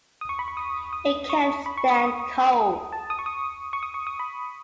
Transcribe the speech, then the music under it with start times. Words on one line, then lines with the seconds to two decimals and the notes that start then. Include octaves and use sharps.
It can't stand cold!
0.21 D#6
0.29 C#6
0.39 B5
0.48 C#6
0.57 D#6
0.93 D#6
1.30 C#6
1.66 B5
1.77 C#6
1.90 D#6
2.08 D#6
2.92 A5
3.10 D#6
3.19 C#6
3.26 D#6
3.73 C#6
3.83 D#6
3.94 C#6
4.07 D#6
4.19 B5